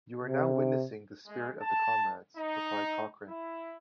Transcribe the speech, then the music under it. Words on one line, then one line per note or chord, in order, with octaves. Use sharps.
"You are now witnessing the spirit of the Comrades," replied Cochrane.
C3
G#3
A5
D#4
E4